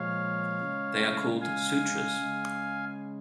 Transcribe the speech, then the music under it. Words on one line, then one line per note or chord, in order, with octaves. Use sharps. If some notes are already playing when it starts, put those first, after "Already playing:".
They are called sutras.
Already playing: A#2 F3 G#3 C#5 F5
C#3 G#3
F5 G#5
C#3 G#3